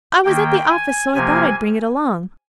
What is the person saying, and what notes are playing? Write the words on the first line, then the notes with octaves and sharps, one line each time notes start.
I was at the office, so I thought I'd bring it along.
D#3 A#3 G5
G#5
C3 F3 A#3 G#5